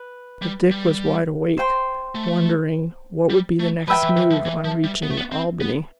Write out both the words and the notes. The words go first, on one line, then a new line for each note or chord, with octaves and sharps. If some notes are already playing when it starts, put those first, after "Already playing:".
But Dick was wide awake, wondering what would be the next move on reaching Albany.
Already playing: B4
G3
G3
C5 G5 C6
A3
G3
A3
F3 B4 E5 G5
E3
E3
F3
E3
F3
G3
B3
A3
B3
C4
B3